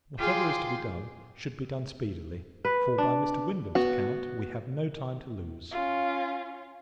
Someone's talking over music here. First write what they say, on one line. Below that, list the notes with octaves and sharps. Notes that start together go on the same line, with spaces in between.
Whatever is to be done, should be done speedily; for, by Mr. Wyndham's account, we have no time to lose.
F4 G#4 F5 G5 C6 D6
B4
D4
B3 F#4
C#4 F4